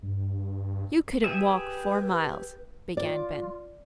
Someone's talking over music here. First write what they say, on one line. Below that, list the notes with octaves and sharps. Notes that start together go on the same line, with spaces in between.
"You couldn't walk four miles," began Ben.
G2
G4 G#4 B4 E5
F4 D5